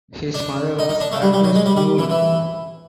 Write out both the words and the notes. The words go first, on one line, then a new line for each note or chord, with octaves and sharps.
His mother was Agnes Yule.
D4
D#4
D#4
D4
A3
G3
G3
F#3
G#3
G3
G3
E3
E3